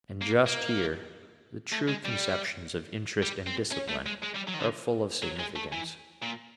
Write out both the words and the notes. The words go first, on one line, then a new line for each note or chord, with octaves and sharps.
And just here the true conceptions of interest and discipline are full of significance.
A#3
A#3
A3
G#3
G3
G3
C4
C#4
A3
G#3
G#3
G3
F#3
D#3
D3
F#3
G#3
A3
E3
A#2